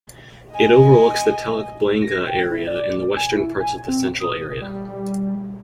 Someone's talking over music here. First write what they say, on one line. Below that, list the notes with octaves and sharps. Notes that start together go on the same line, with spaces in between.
It overlooks the Telok Blangah area, and the western parts of the Central Area.
D#5 G#5
A#6
G5
E4
D5
D5
G#5
E4
G#5
C4
D#6
G3